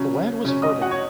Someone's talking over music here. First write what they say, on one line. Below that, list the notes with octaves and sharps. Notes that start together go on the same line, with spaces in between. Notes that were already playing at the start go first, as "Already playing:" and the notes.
The land was fertile.
Already playing: C#3 F#3 C#4
C#3 F#3 C#4
D#5 D#6
F#4 F#5
C#5